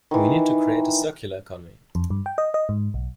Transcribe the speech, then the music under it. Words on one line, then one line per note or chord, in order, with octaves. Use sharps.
We need to create a circular economy.
D#3 E3
F2
G2
G5
D#5
D#5
G#2
B1